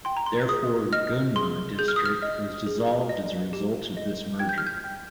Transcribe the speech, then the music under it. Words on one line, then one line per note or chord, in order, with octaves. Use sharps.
Therefore, Gunma District was dissolved as a result of this merger.
G5 C6
A#5
C6
G#4 D#6
D#5 F6
G#4 C6
G#4 G6
F6
D#6
F6
D#5
G#4
D#5
G4
D#5
G5 G#6
G6
F6
G6
G5